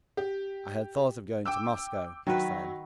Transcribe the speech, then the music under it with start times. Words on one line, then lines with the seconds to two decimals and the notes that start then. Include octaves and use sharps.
"I had thought of going to Moscow," she said.
0.17 G4
1.45 G5 D6 E6
2.27 D#3 F#3 F#4 B4